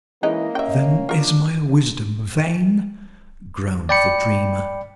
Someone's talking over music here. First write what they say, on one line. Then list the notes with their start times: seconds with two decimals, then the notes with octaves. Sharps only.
'Then is my wisdom vain!' groaned the dreamer.
0.23 E3 G#3 A#3 C#4 D#4 D#5
0.55 C#4 E5 G5
1.09 D4 F4 A#4
3.89 D5 G5 B5 C#7